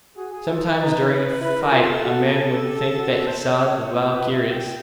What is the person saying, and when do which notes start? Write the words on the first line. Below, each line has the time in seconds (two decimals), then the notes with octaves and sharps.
Sometimes during the fight a man would think that he saw the Valkyrias.
0.16 F#4 G#4
0.33 G#4
0.47 F4 A4
0.63 B4
0.79 D#4
1.41 E4 B4
1.61 A#4
1.72 F4
1.82 A4
2.04 F#4
2.65 G4
2.96 F#4
3.27 C5
3.47 C#5
3.68 C#5
3.89 F4 C5
4.10 B4
4.31 E5
4.51 G5